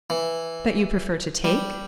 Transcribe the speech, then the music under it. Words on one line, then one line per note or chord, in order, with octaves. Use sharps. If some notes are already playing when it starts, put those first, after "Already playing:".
"But you prefer to take?"
E3
G3